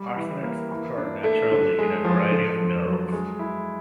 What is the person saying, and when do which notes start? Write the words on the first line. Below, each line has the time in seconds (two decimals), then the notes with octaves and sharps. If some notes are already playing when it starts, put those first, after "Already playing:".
Arsenates occur naturally in a variety of minerals.
Already playing: G3
0.16 E3
0.43 A#3
0.71 E3
0.98 D4
1.24 A3
1.52 D3
1.79 G#3
2.05 F3
2.32 D3
2.59 F2
2.85 F#3
3.12 G#3
3.39 E4